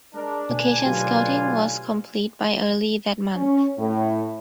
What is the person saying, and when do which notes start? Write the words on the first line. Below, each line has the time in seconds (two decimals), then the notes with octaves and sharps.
Location scouting was complete by early that month.
0.15 G#3 D4 A#4
0.49 D2 B2 B4 G#5
0.86 B1 B2 F#3 D4 F4 G4
3.35 C#4
3.78 A2